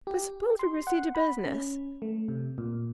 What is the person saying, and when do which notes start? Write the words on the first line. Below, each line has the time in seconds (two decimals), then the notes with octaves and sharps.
But suppose we proceed to business.
0.07 G4
0.59 C6
0.87 F#5
1.15 B5
1.46 C#4
2.02 A3
2.28 C3
2.58 A#2